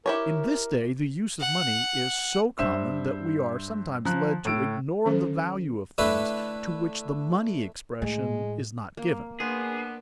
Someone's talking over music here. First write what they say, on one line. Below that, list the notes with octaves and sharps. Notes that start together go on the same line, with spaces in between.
In this day the use of money is so common that we are sometimes led to ignore the value of things to which the money expression is not given.
E4 G4 A#4 C#5
F#5
G2 C5 E5 E6 E7
F3 A#5 F#6
A2 E6 D7
D#3 F#3 C#4 A4 C5
D3 A3 D4 E4 B4
A2 G#3
A#3
A#3 B3 D4 G#4 B4 C6